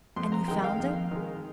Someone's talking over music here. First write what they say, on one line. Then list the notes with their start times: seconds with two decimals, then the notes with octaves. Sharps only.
"And you found it?"
0.16 F2 C6
0.32 A#5
0.48 D#3 G#3 G5
0.64 F5
0.80 F2
1.11 D#3 G#3